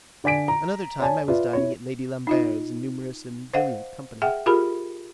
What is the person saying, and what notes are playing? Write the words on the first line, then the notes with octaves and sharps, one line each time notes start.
Another time, I was dining at Lady Lambert's in numerous and brilliant company.
D3 D5 G#5 B6 D7
A#5
C#5 D5 G#5 A5
F4 B4 D5 E5
E4 C#5
D#4 F4 D#5
C5 D#5 F5 F#5
G#4 E5 F#5 G5
F4 G4 G#4 A#4 B5